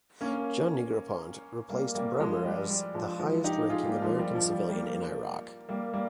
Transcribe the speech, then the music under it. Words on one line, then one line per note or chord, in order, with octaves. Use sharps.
John Negroponte replaced Bremer as the highest-ranking American civilian in Iraq.
A#3 C#4
G3 A#3
G3 A#3
F3 G#3
G3
G3
F3 G#3
F3 G#3
D#4 G4
F4 G#4
G3 A#3
F3 G#3
G3
F3
G3
G3 A#3
G3 A#3
G3 A#3